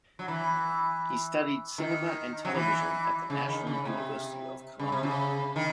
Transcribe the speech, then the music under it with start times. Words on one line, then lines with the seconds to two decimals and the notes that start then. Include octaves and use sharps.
He studied cinema and television at the National University of Colombia.
0.19 F#3
0.28 E3
1.78 D#3
2.45 F#3
2.54 E3
3.30 C#3
3.48 D#3
3.67 C#3
3.85 C3
4.79 C#3
4.92 C3
5.03 C#3
5.56 D#3